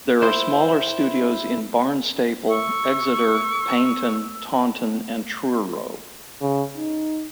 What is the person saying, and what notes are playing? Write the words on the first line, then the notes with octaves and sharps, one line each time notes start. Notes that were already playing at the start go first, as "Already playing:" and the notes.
There are smaller studios in Barnstaple, Exeter, Paignton, Taunton and Truro.
E4 C5
C#6 E6
C#3
D#4